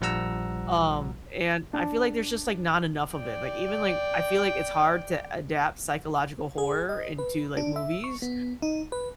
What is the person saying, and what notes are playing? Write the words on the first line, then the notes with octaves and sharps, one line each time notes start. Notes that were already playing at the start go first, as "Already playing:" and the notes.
um, and I feel like there's just, like, not enough of it, like, even like I feel like it's hard to adapt psychological horror into, like, movies,
A#1 F3 G3 F#5 A#5 E6
D4
D5 G5
G#4
D#5
B4
D4
E5
C#6
B3
D#4
B4